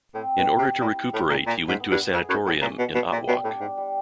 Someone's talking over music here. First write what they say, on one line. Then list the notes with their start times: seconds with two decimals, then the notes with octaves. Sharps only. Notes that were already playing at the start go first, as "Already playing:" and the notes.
In order to recuperate, he went to a sanatorium in Otwock.
0.14 A2 C4
0.37 B2
0.47 G4
0.59 C3
0.81 A#2 E4
1.13 A2 A3
1.30 A#2
1.46 A#2 E4
1.69 G#2
1.80 B3
1.91 G2
2.12 F2 G#4
2.29 F#2
2.46 A2 B3
2.62 A#2
2.79 B2 B3
2.95 B2
3.11 A#2 G3
3.28 B2
3.44 A2 D4
3.61 G#2
3.77 G3